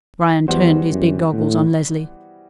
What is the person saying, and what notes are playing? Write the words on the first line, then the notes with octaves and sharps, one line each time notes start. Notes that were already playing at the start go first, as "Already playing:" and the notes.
Bryan turned his big goggles on Leslie.
E2 E3 G3 B3 F#4 C5
F#2
A2